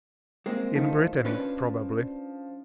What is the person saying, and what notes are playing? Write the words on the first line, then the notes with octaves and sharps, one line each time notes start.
"In Brittany, probably."
G#3 A#3 C4
D#3 F3 A3 D#4
C#4 D4 B4